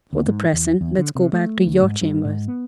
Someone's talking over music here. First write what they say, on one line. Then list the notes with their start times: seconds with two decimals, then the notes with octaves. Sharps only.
For the present let's go back to your chambers.
0.13 D2
0.26 G#2
0.53 E2
0.81 E2
0.98 D3
1.15 C3
1.33 A3
1.66 D2
1.82 G#2
2.01 G2
2.25 G#2
2.48 B3